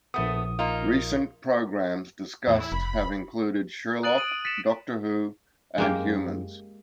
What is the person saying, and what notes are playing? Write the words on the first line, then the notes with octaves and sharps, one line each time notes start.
Recent programmes discussed have included "Sherlock", "Doctor Who" and "Humans".
A#1 A3 B3 D#6
A#3 D#4 F4
E2 A2 E3
E4
F1 B5
D#6 F#6 A6 D7 D#7 F#7
D#6 D7 D#7
A6 B6 C#7 E7
F#2 G#3 A#3 G4